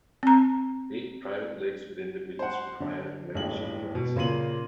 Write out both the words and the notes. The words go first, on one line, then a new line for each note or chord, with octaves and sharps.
Eight private lakes within the Village require a membership to access.
C4 A#5
C5 F#5
D3
D#1 A1 G2 E3 G#3 F#7
B2
A#2 C#3 A#3 C6 D#7 F#7